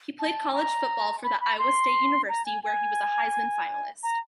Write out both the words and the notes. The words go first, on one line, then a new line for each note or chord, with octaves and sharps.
He played college football for Iowa State University where he was a Heisman finalist.
A5
A#5
B5
B5
C6
A#5
G#5
G#5
A#5